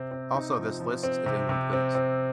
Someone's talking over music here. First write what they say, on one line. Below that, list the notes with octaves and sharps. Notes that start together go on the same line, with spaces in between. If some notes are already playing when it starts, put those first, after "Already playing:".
Also this list is incomplete.
Already playing: C3 C4
C4
D#4
F3
F3
C4
C3
C3
C4
C4